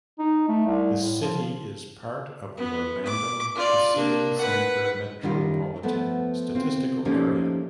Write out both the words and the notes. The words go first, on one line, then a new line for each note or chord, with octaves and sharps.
The city is part of the Orlando-Kissimmee-Sanford Metropolitan Statistical Area.
D#4
A3
C2
A2
F3
B3
D6
F4 D5
A#3 D4
B4 F#5
F#2 D#3 G3 E4 F4 A#4
F3 A3 B3
C4 F4
F3 A3 A#3 C#4 D#4 G4